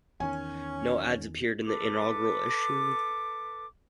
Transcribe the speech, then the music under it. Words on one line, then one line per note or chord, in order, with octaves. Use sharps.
No ads appeared in the inaugural issue.
E2 D#3 C#4 G#5
A4 B4 D6